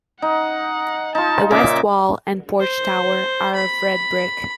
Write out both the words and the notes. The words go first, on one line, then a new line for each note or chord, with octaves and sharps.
The west wall and porch-tower are of red brick.
D#4 F#5
D#4 F4 A5
A#2 C#3 E5 D6
C5
B5